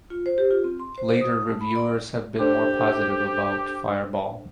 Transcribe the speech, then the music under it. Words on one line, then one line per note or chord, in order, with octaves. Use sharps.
Later reviewers have been more positive about "Fireball".
F4
C5
G4
F4
C4
C6
C5
D#6
A3
B5
D5
D4 G4 A4 C5